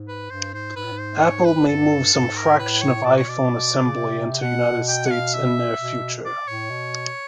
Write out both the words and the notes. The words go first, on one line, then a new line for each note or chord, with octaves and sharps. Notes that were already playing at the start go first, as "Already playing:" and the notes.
Apple may move some fraction of iPhone assembly into United States in near future.
Already playing: G#2
B4
G2 C5
G#2 C5
G#2 B4
A2
G#2
C5
C#5
B4
G2 A4
G#2 A4
G2
G#2
A#4
A2 B4
C#5
A#2 D5
C#5
B2 D5
B2
C#3
C3
B2 F#5
G5
F#5
F5
E5
B2
D5
A2 C#5
B2